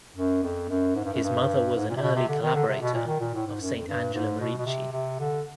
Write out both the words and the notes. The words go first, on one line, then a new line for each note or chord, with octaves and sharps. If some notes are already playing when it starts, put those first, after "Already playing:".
His mother was an early collaborator of Saint Angela Merici.
F#2
F2
F#2
G#2
G2
F#2
G2
G#2
A#2
C3
B2
C3
D3
D#3
D3
C3
B2
A#2
D#3
A#2
A2
G#2
F#2
F2
G2
G#2
B2
B2
C3
C3
D3